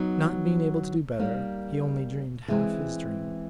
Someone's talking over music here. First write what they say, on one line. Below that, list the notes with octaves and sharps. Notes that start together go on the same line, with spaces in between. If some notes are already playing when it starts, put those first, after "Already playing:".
Not being able to do better, he only dreamed half his dream.
Already playing: F#3 B3 D#4
G3 A#3 D#4
E3 G#3 C4